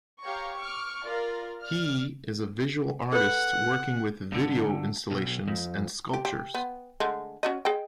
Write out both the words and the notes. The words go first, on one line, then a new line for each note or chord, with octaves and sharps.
He is a visual artist working with video-installations and sculptures.
G4 C#5 F5 A#5 C#6
C#6 D6 F6
F4 A#4 D5
D5 F6
A4 B4 F#5
G2 D3
B1
F2
G4
G4
B3
D3 G#3 A3
C#4 F#4 D#5
G#4 D#5 G5